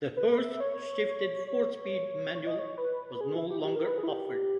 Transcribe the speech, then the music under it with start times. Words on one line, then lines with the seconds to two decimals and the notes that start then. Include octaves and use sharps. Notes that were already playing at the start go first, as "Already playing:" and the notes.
The Hurst-shifted four-speed manual was no longer offered.
0.17 B4
0.38 E5
0.60 C#5
1.47 C#5
2.35 C#5
2.47 D#5
2.59 C#5
2.78 B4
3.21 G#4
3.36 E4
3.50 G4
3.60 E4
3.64 G4
3.76 A#4
3.87 B4
3.98 G#4
4.03 E4
4.08 G4